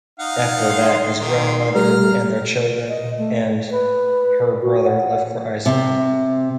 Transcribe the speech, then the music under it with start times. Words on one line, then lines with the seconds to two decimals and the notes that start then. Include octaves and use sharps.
After that his grandmother and their children and her brother left for Iceland.
0.20 D#4 F5 F#5
0.70 C6
1.18 D#3 A#3
1.75 G3 A3 A#5 F6
2.88 D#5
3.18 A3
3.70 B4
4.62 F#4
4.85 F#5
5.66 C3